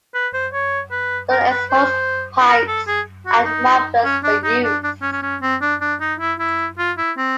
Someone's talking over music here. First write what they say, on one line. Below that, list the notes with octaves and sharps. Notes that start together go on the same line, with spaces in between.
Dual exhaust pipes and mufflers were used.
B4
C5
C#5
B4
A#4
B4
C5
A#4
A4
G#4
F#4
D#4
C#4
D4
D#4
D4
D4
C#4
C#4
C#4
C4
D4
D4
D#4
E4
E4
F4
E4
C4